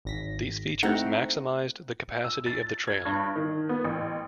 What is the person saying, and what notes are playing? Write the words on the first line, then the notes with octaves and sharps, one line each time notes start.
These features maximized the capacity of the trailer.
G#1 A#6 B6
A3 C4 D#4 E4 F#5 A#5
E6
A6
G#6
G2
D#3
B3
A1